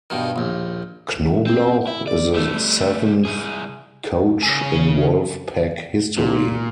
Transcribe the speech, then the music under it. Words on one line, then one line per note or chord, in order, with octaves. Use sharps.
Knoblauch is the seventh coach in Wolf Pack history.
G2 B2 D#3
A#1 D#2
C4
E4
D5
G3 A3
C2 G#4
C#3 G#5
A#2